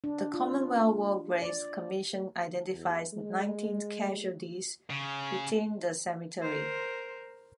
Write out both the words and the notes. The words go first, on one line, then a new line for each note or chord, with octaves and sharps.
The Commonwealth War Graves Commission identifies nineteen casualties within the cemetery.
D4
F4
D5
E2
G#3
C#3
A#4 C5